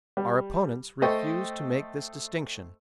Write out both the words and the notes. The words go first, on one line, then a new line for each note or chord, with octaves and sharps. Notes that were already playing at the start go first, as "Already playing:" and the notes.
Our opponents refuse to make this distinction.
G3
A3 C5 D#5 G5 C#6